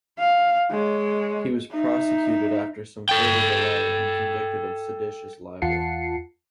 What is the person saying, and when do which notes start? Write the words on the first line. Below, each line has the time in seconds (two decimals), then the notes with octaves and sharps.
He was prosecuted after some further delay and convicted of seditious libel.
0.18 F5
0.70 G#3 C#5
1.72 D#4 E5
3.09 A4 G5
5.62 E2 F4 F#5 A5 C7 C#7